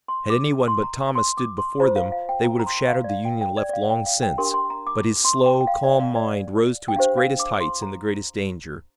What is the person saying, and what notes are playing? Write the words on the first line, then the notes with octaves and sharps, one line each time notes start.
Had anyone but Thomas stood before them they would have shattered the Union left long since, but his slow, calm mind rose to its greatest heights in the greatest danger.
C6
D6
C6
A#5
C6
D6
C6
F4 C5 A#5
F5
F5
G5
A#5
A#5
C6
F5
D5
F5
G5
G5
D5
D5
F5
G5
F5
G5
D4 G4 A#4 C6
C6
A#5
D6
C6
G5
G5
F5
D5
F5
D5
G5
D4 G4 C5 F5
F5
D6
C6
A#5